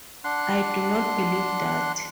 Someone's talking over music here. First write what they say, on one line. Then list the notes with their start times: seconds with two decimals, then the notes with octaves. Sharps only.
I do not believe that.
0.24 D4 F#5 C6 F#6